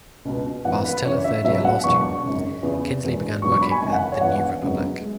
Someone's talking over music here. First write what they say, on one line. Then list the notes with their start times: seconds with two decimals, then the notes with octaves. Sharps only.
While still a third-year law student, Kinsley began working at "The New Republic".
0.25 C#2 B2 B3
0.65 G#1 F#2 E3 B3 F#5
0.85 B4
1.05 F#2 C#3 E3 C#5
1.24 E5
1.44 C#2 B2 F#3 B3 E5
1.65 F#5
1.84 E1 E2 B2 F#3 B3 C#6
2.23 G#1 F#2 C#3
2.63 E2 C#3 E3 B3
3.03 E1 E2 B2
3.42 E1 E2 B2 F#3 B3 C#6
3.52 C#6
3.62 B5
3.71 G#5
3.82 G#1 F#2 C#3 E3 G#5
3.92 F#5
4.12 C#5
4.21 E1 E2 E3 B3 F#5
4.61 G#1 F#2 C#3 F#3 B3
5.01 G#3